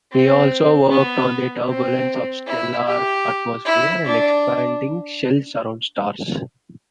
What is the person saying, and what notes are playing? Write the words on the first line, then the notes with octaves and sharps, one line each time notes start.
He also worked on the turbulence of stellar atmosphere and expanding shells around stars.
C4
B3
C4
E4
G4
E4
D4